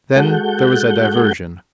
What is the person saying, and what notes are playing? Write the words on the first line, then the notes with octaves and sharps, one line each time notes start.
Then there was a diversion.
G#3 F#4 A4 F#5 G6